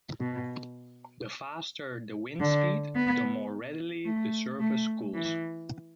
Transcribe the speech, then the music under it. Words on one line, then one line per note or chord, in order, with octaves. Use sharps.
The faster the wind speed, the more readily the surface cools.
B2
D3
B3
A3
A3
E3